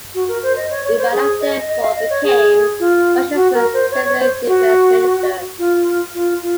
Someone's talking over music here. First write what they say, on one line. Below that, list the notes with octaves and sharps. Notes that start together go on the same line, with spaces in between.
Ivanov therefore became Russia's first civilian Defense minister.
F#4
A#4
C5
D#5
C#5
C#5
C5
G#4
D#5
D#5
F5
D#5
C#5
G#4
F4
F#4
A#4
C5
C#5
C#5
C5
F#4
F4
F4
F4